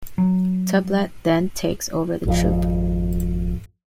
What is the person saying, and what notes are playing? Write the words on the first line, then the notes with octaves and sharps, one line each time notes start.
Tublat then takes over the troop.
F#3
G#1 F2